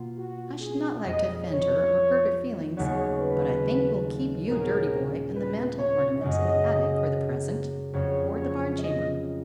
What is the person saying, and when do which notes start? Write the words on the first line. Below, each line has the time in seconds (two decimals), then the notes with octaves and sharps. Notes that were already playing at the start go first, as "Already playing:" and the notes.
I should not like to offend her or hurt her feelings, but I think we'll keep You Dirty Boy and the mantel ornaments in the attic for the present, or the barn chamber.
Already playing: B2 A#3 F4
0.19 F#4
0.61 G#4
1.04 F2 F3 G#3 D#5
1.47 C#5
2.77 D#2 C#3 F#3 B3 F#4 C#5
3.20 B4
4.49 A#2 F#3 C#4 F4 G#4 A#4
5.36 B4
5.78 C#5
6.21 F#2 C#3 G#3 C#4 D#5
7.93 F2 C#3 F#3 C#4 C#5
8.37 C#5
8.80 D#5